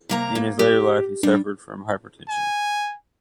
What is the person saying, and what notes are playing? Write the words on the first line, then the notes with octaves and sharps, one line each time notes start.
In his later life he suffered from hypertension.
C3 A#3 A#5
A#3
G4
G3 D4
G#5